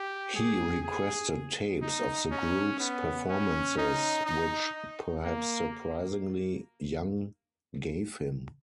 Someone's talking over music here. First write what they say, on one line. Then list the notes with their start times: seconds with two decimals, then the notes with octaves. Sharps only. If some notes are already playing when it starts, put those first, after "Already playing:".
He requested tapes of the group's performances which, perhaps surprisingly, Young gave him.
Already playing: G4
0.35 G#4
0.85 G#4
1.82 D#4
2.31 C#4
2.80 B3
3.29 C#4
3.77 D#4
4.26 D#4
5.23 A#3